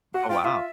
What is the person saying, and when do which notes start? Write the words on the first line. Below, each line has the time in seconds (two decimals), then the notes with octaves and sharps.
Oh, wow.
0.14 F#4 F#5
0.29 F4 G5
0.44 F4 E5